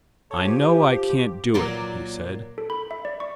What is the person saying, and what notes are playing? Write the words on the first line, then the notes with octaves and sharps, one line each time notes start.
"I know I can't do it," he said.
A4 C#5
F3 G4
A#2 F#3 D5
A4
B5
E5
D5
C#6